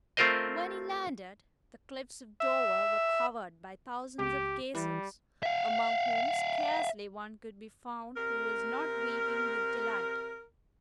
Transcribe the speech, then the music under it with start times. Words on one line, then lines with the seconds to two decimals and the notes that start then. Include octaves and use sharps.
When he landed, the cliffs of Dover were covered by thousands of gazers, among whom scarcely one could be found who was not weeping with delight.
0.17 A3 C4 F4 A#4 C5 D#5
2.40 E5
4.19 C#2 G4
4.75 E3 G3
5.43 E5 F5
8.17 C3 A#4